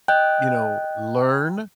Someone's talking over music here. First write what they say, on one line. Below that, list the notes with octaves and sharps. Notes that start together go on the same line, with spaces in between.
you know, learn,
D#5 G5 F#6